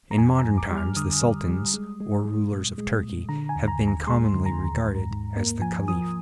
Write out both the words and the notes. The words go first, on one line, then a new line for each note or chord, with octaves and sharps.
In modern times the sultans or rulers of Turkey have been commonly regarded as the caliphs.
A#5
F2 G#5
A#5
F2
D6
G3
F6
D3 D#6
G3
G3
G#3
G#3
G#3
A#2
G#3
A#2
D3 A#5
G#5
D#2
A#5
D#2
A#5
G#3 C6
D3
A#5
D#2
G#2
G#2
A#3
F3 G#5
F3 D#6